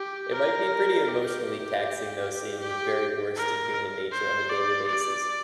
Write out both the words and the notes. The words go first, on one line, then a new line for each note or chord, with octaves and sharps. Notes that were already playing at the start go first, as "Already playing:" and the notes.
It might be pretty emotionally taxing though, seeing the very worst in human nature, on a daily basis.
Already playing: G4
A#4
G4
G4
A#4
C5
D5
D5